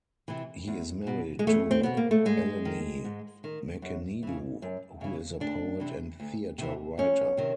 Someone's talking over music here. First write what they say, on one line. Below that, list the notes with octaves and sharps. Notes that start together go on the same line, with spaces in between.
He is married to Eleni Merkenidou who is a poet and theatre writer.
C3 E3
E2
B2
G#3
E2 A3
C4
B2 B3
A#3
A3
G#2 G#3
D#3
G#2
D#3
F#2
C#3 E3
F#2
C#3 E3
D2 D4
C3 E3
D2
C3 E3
F2 C#4
C3 D#3